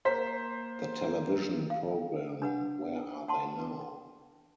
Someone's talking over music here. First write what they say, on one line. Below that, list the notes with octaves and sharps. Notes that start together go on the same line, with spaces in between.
The television programme Where Are They Now?
A#3 C5 B6
F5
D4 B4 F#5
F#5 A5 C6